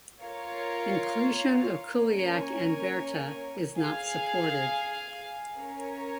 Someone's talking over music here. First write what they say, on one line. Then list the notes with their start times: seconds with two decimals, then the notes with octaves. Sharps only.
Inclusion of Kuliak and Berta is not supported.
0.23 F4 A#4 C#5 F5
2.01 A#3 C#4 A#4 C#5 G#5
3.79 G#4 F5 G#5
5.57 C#4 A#4 C#5 G#5